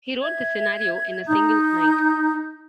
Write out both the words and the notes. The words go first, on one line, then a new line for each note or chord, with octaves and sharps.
He wrote the scenario in a single night.
E5 G#6
D#4 A#5 D#6 G6